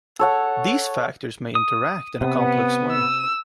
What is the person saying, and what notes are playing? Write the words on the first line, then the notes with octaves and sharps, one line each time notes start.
These factors may interact in a complex way.
A4 C#5 F#5
D#6
C3 B3
E6